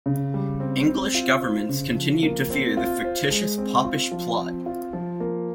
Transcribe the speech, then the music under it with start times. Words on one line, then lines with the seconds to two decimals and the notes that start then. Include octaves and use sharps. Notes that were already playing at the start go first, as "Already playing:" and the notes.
English governments continued to fear the fictitious Popish Plot.
0.06 C#3
0.34 G3
0.60 C4
0.87 C4
1.15 F4
1.42 C5
1.69 C#3
1.95 F3
2.23 A#3
2.50 C4
2.77 F4
3.04 C5
3.31 G#3
3.58 C4
3.85 F4
4.12 F3
4.38 C4
4.66 F4
4.93 F3
5.20 A#3